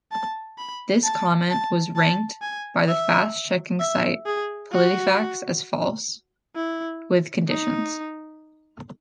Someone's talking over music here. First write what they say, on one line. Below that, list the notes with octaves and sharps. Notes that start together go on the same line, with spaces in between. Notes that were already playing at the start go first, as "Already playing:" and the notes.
This comment was ranked by fact-checking site PolitiFact as false, with conditions.
A5
B5
A5
A5
A5
G#5
E5
E5
G#4
F#4
E4
D#4